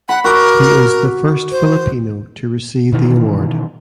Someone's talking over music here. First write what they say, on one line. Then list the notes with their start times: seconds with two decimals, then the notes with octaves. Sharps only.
He is the first Filipino to receive the award.
0.09 F#5 B5
0.24 F#4 A#4 D6
1.51 C5
2.93 B2 D#3 E3